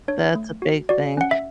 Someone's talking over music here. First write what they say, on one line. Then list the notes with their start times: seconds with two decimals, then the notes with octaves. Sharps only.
That's a big thing.
0.08 D4 C#5
0.35 A3
0.62 F#4
0.89 F#4 D5
1.17 C#4 F#5
1.31 E5